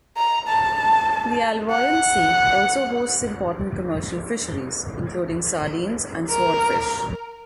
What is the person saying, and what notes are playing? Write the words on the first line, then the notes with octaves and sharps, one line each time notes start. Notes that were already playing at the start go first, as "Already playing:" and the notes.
The Alboran sea also hosts important commercial fisheries, including sardines and swordfish.
A#5
A5
F#5
A#4